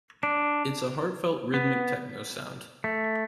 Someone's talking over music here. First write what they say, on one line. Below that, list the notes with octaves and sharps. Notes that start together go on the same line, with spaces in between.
It's a heart-felt rhythmic techno sound.
D4
B3
A3